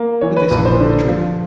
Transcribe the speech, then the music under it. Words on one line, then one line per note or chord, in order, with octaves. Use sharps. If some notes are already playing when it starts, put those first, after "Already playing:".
With this he pulled the trigger.
Already playing: A#3
E3 C#5
B4
A#1 B4
C5
D3
F3